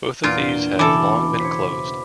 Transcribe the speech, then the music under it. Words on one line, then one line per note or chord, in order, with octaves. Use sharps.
Both of these have long been closed.
E2 A#2 A#3 D4 F4 D7
G7
E1 C#2 E3 A4 B5 D6
C5 C#5 B6